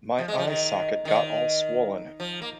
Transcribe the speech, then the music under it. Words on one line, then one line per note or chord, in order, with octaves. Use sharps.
My eye socket got all swollen.
F3
G#3
F3
D#3
D#3
F3
A#3